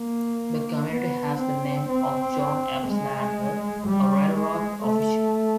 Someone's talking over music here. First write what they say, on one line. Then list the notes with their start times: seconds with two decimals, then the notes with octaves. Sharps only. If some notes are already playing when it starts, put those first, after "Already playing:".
The community has the name of John F. Slater, a railroad official.
Already playing: A#3
0.90 B3
1.39 C4
1.89 C4
2.88 G#3
3.87 G3
4.36 G#3
4.85 A3